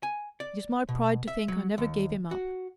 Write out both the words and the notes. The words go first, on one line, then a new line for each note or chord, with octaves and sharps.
It is my pride to think I never gave him up.
G#5
D5
B2
E5
F#3
D#2
F#4